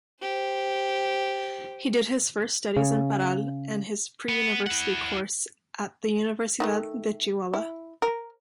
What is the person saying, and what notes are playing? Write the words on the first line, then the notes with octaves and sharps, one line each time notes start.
He did his first studies in Parral and his pre-university course at the Universidad de Chihuahua.
G4 C5
C#3
B3
E4 F#5
D#3 F#3 A3
E4
A#4